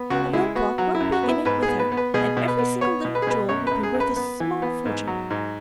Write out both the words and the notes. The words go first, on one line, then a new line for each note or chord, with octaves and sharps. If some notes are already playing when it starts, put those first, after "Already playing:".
A rope-walk won't be in it with her, and every single little jewel will be worth a small fortune.
Already playing: B3
C#2 F#4
G#3 E4
B3 F#4
F#3 F#4
E4
F#2
F#4
B3
E4
G#2 B4
G#4
B3
B4
B3
B4
B2 G#4
B2
B4
B3
B3 C#5
B2
B4
G#4
B2 B4
F#2 C#5
F#2 B4
G#4
F#2
B4
B3
E3
B3
G#2
F#3
G#2